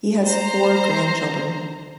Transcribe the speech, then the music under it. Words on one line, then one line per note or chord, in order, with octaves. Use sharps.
He has four grandchildren.
C5 A#5